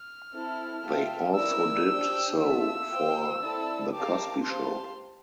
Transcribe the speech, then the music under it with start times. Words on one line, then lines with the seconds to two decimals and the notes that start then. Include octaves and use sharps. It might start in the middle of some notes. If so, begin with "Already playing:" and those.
They also did so for "The Cosby Show".
Already playing: F6
0.32 C4 E4 A4
0.84 C4 F4 A4 E5 G5
1.35 C4 E4 A#4 D5 E6
1.87 D4 G4 C5 G5
2.39 F4 A4 E5 E6
2.90 F4 C5 G5
3.42 C4 E4 A4 D5 A5
3.93 G4 A#4 F5 A5 D6
4.45 G4 C5 F5 A5 C6